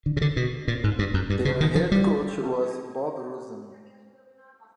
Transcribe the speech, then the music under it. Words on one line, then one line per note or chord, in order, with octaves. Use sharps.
Their head coach was Bob Rosen.
D3
C#3
D3
B2
A#2
G#2
G2
F#2
G2
C#3
D#3
F3
G3